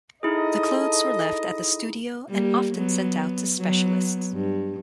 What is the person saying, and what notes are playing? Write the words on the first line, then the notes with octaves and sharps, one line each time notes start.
The clothes were left at the studio and often sent out to specialists.
D#4 E4 G#4 A4 D#5
G3 A#3
F#3 B3
F#3 B3
G2